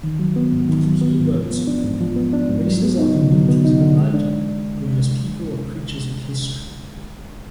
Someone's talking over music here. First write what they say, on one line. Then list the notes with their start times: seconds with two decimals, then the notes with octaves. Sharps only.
He wrote:Races are communities of blood, whereas people are creatures of history.
0.03 D#3
0.19 F#3
0.36 B3
0.52 G#2
0.69 D#3
0.85 F#3
1.01 B3
1.18 G#2
1.35 F3
1.51 B3
1.67 D4
1.84 G#2
2.01 F3
2.16 B3
2.33 D4
2.50 G#2
2.66 F#3
2.83 B3
2.99 D#4
3.15 D3
3.32 F#3
3.49 B3
3.65 D#4
3.81 D3
3.97 G#3
4.14 D4